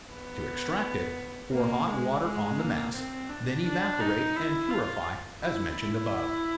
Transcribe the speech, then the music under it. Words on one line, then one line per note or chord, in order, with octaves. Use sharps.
To extract it, pour hot water on the mass, then evaporate and purify, as mentioned above.
B3
A#3
G#3
G#3
A#3
C4
D4
D4
D#4
E4
F4
E4
E4